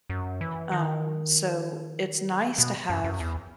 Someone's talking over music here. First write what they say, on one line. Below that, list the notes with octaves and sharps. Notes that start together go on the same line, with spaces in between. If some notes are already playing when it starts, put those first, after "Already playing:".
Um, so it's nice to have
F#2
E3
D#3
B2
F#2
F#2
E2